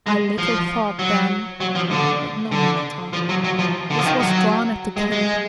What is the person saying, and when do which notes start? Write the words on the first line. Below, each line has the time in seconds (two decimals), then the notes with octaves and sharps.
I little thought then--but no matter. This was drawn at the Cape.
0.06 G#3
0.38 F3
0.99 F#3
1.60 F#3
1.75 F3
1.91 D3
2.52 D3
3.13 F3
3.29 F#3
3.44 F#3
3.59 F3
3.90 D3
3.99 F3
4.05 D#3
4.20 F#3
4.97 G#3
5.12 G#3